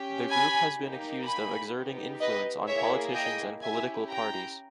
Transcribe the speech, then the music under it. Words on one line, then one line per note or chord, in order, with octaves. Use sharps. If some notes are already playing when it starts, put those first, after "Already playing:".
The group has been accused of exerting influence on politicians and political parties.
Already playing: C#4 G4
G#5 B5
A#3 D#4 G4
G#5 B5
B3 D#4 G4
B4 D#5
A#3 E4 G#4 C#5 E5
D#5 G5
C#4 E4 G4 E5 G#5
G5 A#5